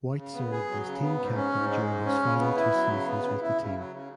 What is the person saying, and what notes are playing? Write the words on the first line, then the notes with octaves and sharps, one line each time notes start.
White served as team captain during his final two seasons with the team.
C#3
B3
G#4
F#3
C#3
B3
G#2
C#4
G#2
G#3
G#2
C#4
C#3
B3
E4
F#3
C#3
B3
C#3
E4
C#3
F#3
C#3